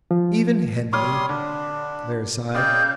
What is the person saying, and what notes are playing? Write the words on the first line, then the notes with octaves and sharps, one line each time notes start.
"Even Henley!" Clare sighed.
F3
G3 C#5 C6 D6 D#6 F6
D3 D4
C#3 D5 D#5 G5 G6